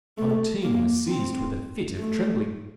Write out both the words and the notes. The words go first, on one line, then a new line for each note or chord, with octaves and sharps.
Fantine was seized with a fit of trembling.
A3
A#3
C4
A3